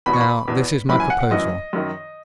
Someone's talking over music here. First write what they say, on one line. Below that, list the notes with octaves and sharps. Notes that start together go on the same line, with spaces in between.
Now, this is my proposal.
E2 B2 B5
C#6
B5
E2 B2
F#2 E3 B5
G#5
F#5
F#5
F#2 E3 D#5
F#2 D#3